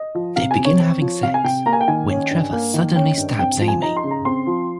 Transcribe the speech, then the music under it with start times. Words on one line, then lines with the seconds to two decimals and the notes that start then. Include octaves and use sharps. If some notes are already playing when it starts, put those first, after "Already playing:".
They begin having sex when Trevor suddenly stabs Amy.
Already playing: D#5
0.15 F3
0.36 C3 F5
0.51 G#5
0.58 C3
0.65 C#5
0.79 C4
1.01 F3
1.23 C3 F5
1.34 G#5
1.44 C3 G5
1.66 A#3 A#5
1.73 G#5
1.81 G5
1.88 D#3 G#5
2.10 C#4
2.31 G2
2.53 A#3
2.74 D#3
2.96 C#4 G5
3.17 G2
3.39 C4 G5
3.61 F3
3.68 G#5
3.82 D#4 A#5
3.97 C6
4.04 C#3
4.11 A#5
4.25 C4 C6
4.47 F3